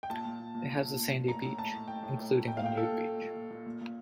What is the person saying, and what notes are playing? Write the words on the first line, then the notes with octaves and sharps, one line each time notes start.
It has a sandy beach, including a nude beach.
G5
A#2 A5
A#2
A#2
A#2
A#2
A#2
A#2
A#2
A2 A#5
A2
A2 A5
A2
A2 G5
A2
A2
A2
A#2 G5
F5
A#2 G5
A#2 A4
A#2
A#2
A#2
A#2
A#2
A#2
A#2